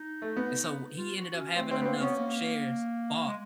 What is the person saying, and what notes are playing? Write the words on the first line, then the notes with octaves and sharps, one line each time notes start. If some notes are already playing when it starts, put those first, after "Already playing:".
and so, he ended up having enough shares bought
Already playing: D#4
A3
B3
F4
F#4
C#4
A3 C4
A3 C4
B3
A#3 C4
B3 C#4
A#3
G#3